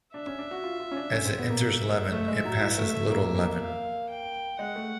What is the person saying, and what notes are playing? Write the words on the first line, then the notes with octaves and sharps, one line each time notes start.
As it enters Leven it passes Little Leven.
D4 E5
C#4
D4
F#4
F4
F4
C#4
D4
C#4
C4
B3
A#3
E5
A3
G#3
F#3
E3
A3
A3
A#3
A#3
F5
G5
G#3 F#5
A3